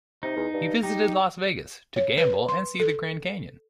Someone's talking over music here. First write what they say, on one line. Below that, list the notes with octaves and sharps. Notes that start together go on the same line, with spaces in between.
He visited Las Vegas, to gamble and see the Grand Canyon.
C3 D#4
E2
G2
D#4 G4
C#5
B4
C6
A4